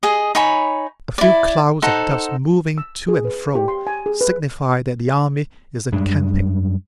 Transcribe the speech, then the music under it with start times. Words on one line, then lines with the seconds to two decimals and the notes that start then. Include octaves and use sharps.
A few clouds of dust moving to and fro signify that the army is encamping.
0.03 G#4 D#5
0.35 D#4 C#5 G#5 B5
1.18 E4 D5
1.82 D#4 A4 C5 F#5
2.78 E6
3.08 G#4
3.25 B4
3.55 G4
3.68 C6
3.87 G#5
4.06 G#4
4.21 B4
5.92 F#2 G3 G#3 D4